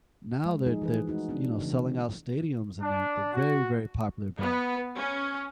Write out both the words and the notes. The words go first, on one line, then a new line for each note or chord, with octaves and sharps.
now they're they're t you know, selling out stadiums, and they're they're a very, very popular band.
G#3
F3 D#4 G#4
E3 G#4 B4
A3 D#4 F#4
B3 C#4 D4
C#3 E3
D4
F#4
B3
C#4